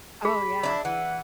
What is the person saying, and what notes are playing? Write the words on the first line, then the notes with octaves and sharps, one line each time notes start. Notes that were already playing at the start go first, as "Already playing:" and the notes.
Oh, yeah.
G#4 B5
D4 E4
E3 F#5